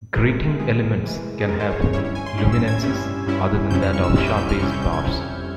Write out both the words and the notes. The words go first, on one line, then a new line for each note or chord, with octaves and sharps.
Grating elements can have luminances other than that of sharp-edged bars.
C3 E3 G#3 A#4
C3 E3 G#3 G#4
C3 E3 G#3
G#4
C3 E3 G#3 A#4
C5
C#5
C#5
G2 G3 C#4 E4 C#5
C#5
G#5
C6
G2 G3 C#4 E4 C6
E6
G#6
G2 G3 C#4 E4
G2 G3 C#4 E4
F2 C3 G3 C#4 E4 G6
F6
C#6
E6
F2 C3 G3 C#4 E4 E6
G6
G6
F6
F2 C3 G3 C#4 E4 C#6
G6
G6
G#6
F2 C3 G3 C#4 E4